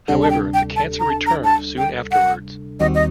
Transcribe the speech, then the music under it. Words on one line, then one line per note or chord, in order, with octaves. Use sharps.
However, the cancer returned soon afterwards.
D2 C3 G3 D4 A4 F#5
A5
G5
G5
A5
A#5
A5
A#5
A5
G5
F#5
D#2 D#3 G3 C4 F#4 D#5
D#5